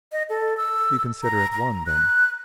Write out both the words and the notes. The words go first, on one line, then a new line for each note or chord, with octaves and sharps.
"You consider it won then?"
D#5
A4
E6
A#5
A#5
F#6